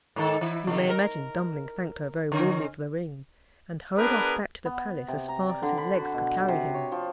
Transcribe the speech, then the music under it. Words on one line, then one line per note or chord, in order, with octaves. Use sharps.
You may imagine Dummling thanked her very warmly for the ring, and hurried off back to the palace as fast as his legs could carry him.
G#2 D#3 A4
E3 E4
C3 D#3
A#4
D3 C#4
B3 D4 G#4 A#4 B4
B3
C3
A#5
D5
D3
B5
F#4
B2
C3
C#5
F3